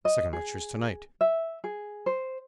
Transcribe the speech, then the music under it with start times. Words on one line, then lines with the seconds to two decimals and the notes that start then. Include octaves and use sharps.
The second lecture's to-night.
0.05 D#5
0.33 G#4
1.21 E5
1.64 G#4
2.06 C5